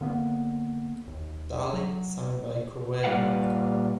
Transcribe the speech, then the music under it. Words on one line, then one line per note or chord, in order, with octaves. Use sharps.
Darling sung by Corabi.
D3 A#3 B3
D#2
F#3
A#2 G3 G4 B4 F5 F#5